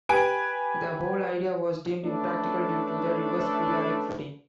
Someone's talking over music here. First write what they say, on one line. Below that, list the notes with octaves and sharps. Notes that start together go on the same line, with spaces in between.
The whole idea was deemed impractical due to the river's periodic flooding.
G4 B4 G#5 D7
A3 C#4 D4 A4 B4